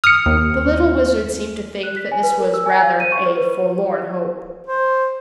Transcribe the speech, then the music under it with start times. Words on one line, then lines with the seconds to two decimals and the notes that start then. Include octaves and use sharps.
The little Wizard seemed to think that this was rather a forlorn hope.
0.04 D#6 F6 C#7
0.26 D#2
1.83 F#6
1.97 B6
2.12 G#5
2.23 B4
2.40 A#4
2.54 E6
2.66 G#5
2.83 F5
3.00 D#7
3.12 C#6
3.25 C5
3.37 B4
4.67 C5